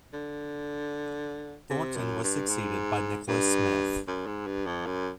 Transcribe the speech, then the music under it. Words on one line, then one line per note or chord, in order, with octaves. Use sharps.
Thornton was succeeded by Nicholas Smith.
D3
C3
F#2
G2
G#2
G2
F#2
G#2
G2
F2
F#2